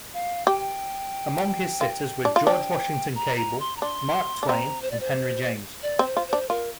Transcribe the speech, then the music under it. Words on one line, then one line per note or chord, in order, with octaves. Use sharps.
Among his sitters were George Washington Cable, Mark Twain, and Henry James.
F5
G4 G5
F4
D4
F4
D4 G5
A#5
A#5
C6
A#5
D4 C6
D4
C4 A#5
C5
D5
C5
D5
C4
C5
F4
D4 C5
F4 A#4